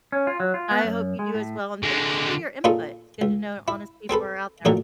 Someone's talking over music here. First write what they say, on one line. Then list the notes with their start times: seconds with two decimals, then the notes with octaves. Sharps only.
I hope you do as well, and thanks for your input. It's good to know honest people are out there.
0.12 C#4
0.27 F4
0.40 F#3
0.54 F4
0.71 B3
0.84 F#2
1.19 G#3
1.34 A2
1.83 D3 G#3
2.64 A#2 C#4 D#4 F4 G#4 A4
3.22 C#2
3.68 E4
4.09 C4 G#4 A4 B4
4.65 A1 A#2 D#3 F#3 A4 A#4